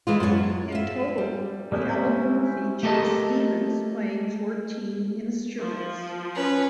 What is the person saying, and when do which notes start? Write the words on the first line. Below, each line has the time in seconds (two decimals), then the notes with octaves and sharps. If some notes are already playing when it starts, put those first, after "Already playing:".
In total the album features Stevens playing fourteen instruments.
0.07 E3 G#3 F4
0.20 F#2 F4 G#4 C#5
0.72 F4 E5
1.18 G3
1.72 G3 G#3 C4 C#4 E4
2.83 A3 G4 A4 A#4 D#5 A5
5.60 F3
6.35 C#4 B4